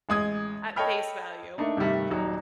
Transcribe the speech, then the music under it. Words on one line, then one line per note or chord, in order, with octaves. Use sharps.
At face value.
A1 G#3 D#6 G#6
A4 C#5 D#5 G5 B5 F6
A3 A#3 D4 D#4
G2 C3 D#3 G3 A3
D#1 F#3 D#4